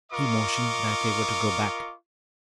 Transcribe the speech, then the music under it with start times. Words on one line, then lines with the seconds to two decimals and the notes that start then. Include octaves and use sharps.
He motioned that they were to go back.
0.12 F4 A#4 D#5 C#6 D6